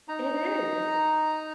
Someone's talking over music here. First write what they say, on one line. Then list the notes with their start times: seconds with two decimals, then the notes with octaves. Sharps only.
It is.
0.08 D#4 A#5